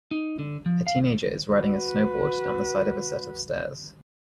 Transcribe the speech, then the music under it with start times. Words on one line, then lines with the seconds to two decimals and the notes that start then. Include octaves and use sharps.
A teenager is riding a snowboard down the side of a set of stairs.
0.11 D#4
0.39 D3
0.66 F3
0.87 F5
1.53 F#4 B4